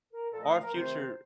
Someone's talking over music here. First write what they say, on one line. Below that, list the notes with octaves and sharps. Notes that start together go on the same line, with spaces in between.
Our future
A#4
A#2 F3 A3 A4
D#5
F5
A#4
C3 D#3 A3 C5